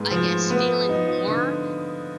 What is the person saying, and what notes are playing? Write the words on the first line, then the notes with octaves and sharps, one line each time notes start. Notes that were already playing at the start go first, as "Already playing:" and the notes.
I guess, feeling more
Already playing: G#2 B3
F3
B3
D#4
D3